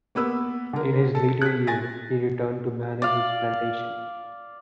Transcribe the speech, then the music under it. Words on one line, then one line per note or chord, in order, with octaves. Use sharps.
In his later years, he returned to manage his plantation.
A#3 B3 B4 E6
D3 A#4
A4
F#6 B6
G#5 A6 A#6
D5 F5